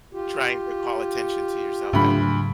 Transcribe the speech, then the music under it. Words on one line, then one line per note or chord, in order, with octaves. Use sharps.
trying to call attention to yourself ever?
F4 G4
D2 G#2 C#3 F#3 B5